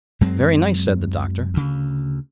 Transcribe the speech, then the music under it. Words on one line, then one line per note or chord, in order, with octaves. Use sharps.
"Very nice," said the Doctor.
F#2 F#3 G#3 C4
D2 C#3